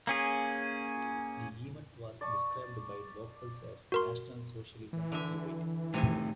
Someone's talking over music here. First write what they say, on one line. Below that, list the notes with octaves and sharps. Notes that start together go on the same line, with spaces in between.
The event was described by locals as "National Socialism revived".
A#3 C#4 G#4
D5 D#5 A5 C#6
F#4 A#4 C6
E3
D3 E5
A2 C3 D#3 G#5